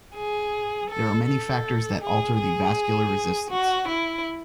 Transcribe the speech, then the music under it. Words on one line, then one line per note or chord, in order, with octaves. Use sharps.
There are many factors that alter the vascular resistance.
G#4
A4
A4
G#4
G#4
F#4
E4